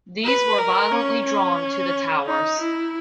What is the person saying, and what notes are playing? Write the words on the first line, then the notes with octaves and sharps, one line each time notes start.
These were violently drawn to the towers.
B4
A#4
C#4
C#4
D#4
E4